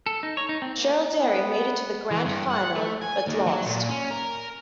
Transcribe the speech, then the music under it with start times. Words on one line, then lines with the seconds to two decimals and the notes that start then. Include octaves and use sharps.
Jerilderie made it to the grand final but lost.
0.06 A4
0.23 D#4
0.37 C#5
0.49 D#4
0.62 C4
0.77 A#3
1.21 B3
2.11 E3
2.25 G2
2.50 F#5
2.75 A3
3.02 G#5
3.27 D#2
3.46 F#3
3.66 A#2
3.89 C#4
4.11 A#4